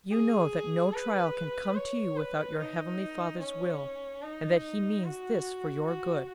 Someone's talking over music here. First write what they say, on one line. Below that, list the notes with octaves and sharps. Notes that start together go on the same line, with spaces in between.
You know that no trial can come to you without your heavenly Father's will, and that He means this for your good.
G#4
B4
C#5
B4
D#4
C#4
D#4
F#4
F#4